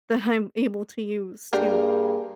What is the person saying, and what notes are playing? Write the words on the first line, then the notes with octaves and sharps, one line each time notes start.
that I'm able to use to
G2 A#3 D4 G4 G#4 A#4